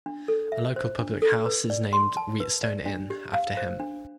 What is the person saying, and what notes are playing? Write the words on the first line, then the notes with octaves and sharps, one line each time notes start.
A local public house is named The Wheatstone Inn after him.
D4
A4
E5
C5
D4
A4
B4
D5
C6
A5
B4
D5
D4
G4
F5
C5
D4